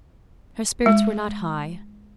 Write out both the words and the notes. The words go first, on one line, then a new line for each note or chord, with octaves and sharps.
Her spirits were not high.
G#3